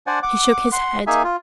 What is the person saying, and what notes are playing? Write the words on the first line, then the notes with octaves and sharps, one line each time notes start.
He shook his head.
D4 C5 D5 F#5 G#5
F#5 D6
F#5 C6
A#3 D#4 G#4 E5 G#5
F4